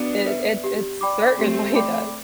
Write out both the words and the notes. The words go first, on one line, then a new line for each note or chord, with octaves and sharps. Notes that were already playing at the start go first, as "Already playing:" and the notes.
It it it certainly does.
Already playing: B3 D4 F#4
B4 E5
G4
D5 G5 B5 D6
A3 C4 G4
D5 G5 B5 D6